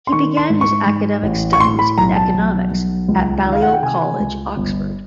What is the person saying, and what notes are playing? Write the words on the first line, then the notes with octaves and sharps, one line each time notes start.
He began his academic studies in economics at Balliol College, Oxford.
C6
D#3 C#6
C6
G#2
C#6
G#2
A1
C#6
A2 C6
B5
B1 A#5
A5
B1
B1
C#2
D#3
F5
F#5
G5
C3 G#5
C#2
G1